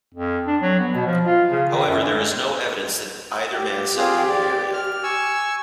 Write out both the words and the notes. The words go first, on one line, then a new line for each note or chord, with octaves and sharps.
However, there is no evidence that either man settled in the area.
F2
D4
F#3
B3
B2
F3
F4
C#3
D#3
F#2
G2
G#3
G4
C4 F4 G#4
D5
F6
G#5 C#6 E6